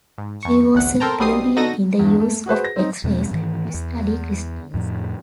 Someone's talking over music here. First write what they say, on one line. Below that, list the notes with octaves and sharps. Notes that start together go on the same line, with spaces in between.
She was a pioneer in the use of X-rays to study crystals.
G#2
F2 C#6
A1 D2 F#5
A4 A#4 C5 G5 A5 A#5
B1 B2 G3 C4 D#6 C7
D3 D#4 F#4 A4 A#6 D#7
E2 G2
A3
F#4 G#4 B4 C5
A#6
C4 D#4
E2 B2 G#3 C4
G#2 D#3 E3
E2
F2 A2 F3